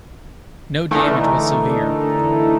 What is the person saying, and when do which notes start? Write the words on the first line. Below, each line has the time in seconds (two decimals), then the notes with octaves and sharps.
No damage was severe.
0.91 D3 E3 A3 D#4 A#4